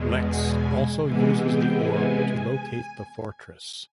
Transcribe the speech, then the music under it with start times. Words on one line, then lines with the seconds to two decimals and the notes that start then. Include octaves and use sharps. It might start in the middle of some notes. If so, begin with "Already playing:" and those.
Lex also uses the orb to locate the fortress.
Already playing: E2 B2 G#3
0.26 G#5
1.02 C3 E3 G#3 B3 G#5
1.41 G5
1.79 G#5